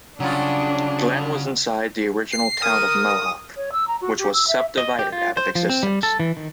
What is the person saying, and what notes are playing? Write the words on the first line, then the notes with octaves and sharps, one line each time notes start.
Glen was inside the original Town of Mohawk, which was subdivided out of existence.
C#3 F#3 G3 D4 F4
C7
A#4 D#6 F6
C#5
E6
A#5
F#4
G4
E6
E5
D#5
G4
F4
C5
F3
C4
G3
A4
E3
D#3